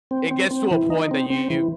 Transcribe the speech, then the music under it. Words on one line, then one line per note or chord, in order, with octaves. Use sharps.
It gets to a point that you
C4
C4
C4
E3
D#4
C4
C4
E3